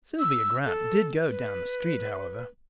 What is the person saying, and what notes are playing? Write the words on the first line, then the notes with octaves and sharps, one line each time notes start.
Sylvia Grant did go down the street, however.
E6
A4
B4